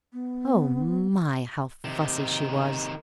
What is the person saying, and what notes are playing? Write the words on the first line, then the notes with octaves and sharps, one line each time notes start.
Oh my, how fussy she was!
B3
C3 D#3